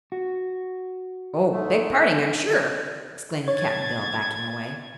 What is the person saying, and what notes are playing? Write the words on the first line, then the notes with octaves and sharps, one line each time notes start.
"Oh; beg parding, I'm sure!" exclaimed Cap'n Bill backing away.
F#4
G#2 A3
C#5 G#6 A6